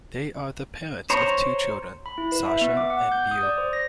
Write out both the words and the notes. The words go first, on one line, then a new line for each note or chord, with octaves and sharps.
They are the parents of two children, Sasha and Beau.
C5 C#5 A#5
B5
E4
B4
E5
B3
D6
F#5
G6
D#6
D5
C5
A#6